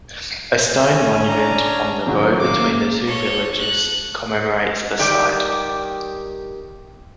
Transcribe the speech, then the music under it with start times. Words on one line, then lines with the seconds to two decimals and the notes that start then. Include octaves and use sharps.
A stone monument on the road between the two villages commemorates the site.
0.69 C#4
1.28 D4 A#5
2.06 G#1 A#2 C#3 F#3
2.39 A#3 D6
3.07 A4 C#5
3.58 F#6
4.99 D#3 G3 G4 D5